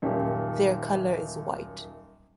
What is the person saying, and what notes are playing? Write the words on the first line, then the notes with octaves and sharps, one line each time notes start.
Their color is white.
D#1 F#2 D#3 C#4 D#4 G4